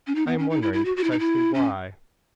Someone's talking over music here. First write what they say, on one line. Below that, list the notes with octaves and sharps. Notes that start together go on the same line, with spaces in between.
"I am wondering precisely why."
C#4
D#4
B3
C#4
D#4
E4
E4
F#4
F#4
E4
D#4
E4
C#4